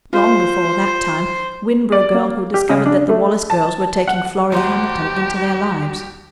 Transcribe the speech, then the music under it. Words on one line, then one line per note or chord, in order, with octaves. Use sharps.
Long before that time Winboro girlhood discovered that the Wallace girls were taking Florrie Hamilton into their lives.
F4 C5
D5
A#3
G4
C#3
D4
A3
A5
F#5
D#2 G3 D#4 F#4 G4 C5 F#5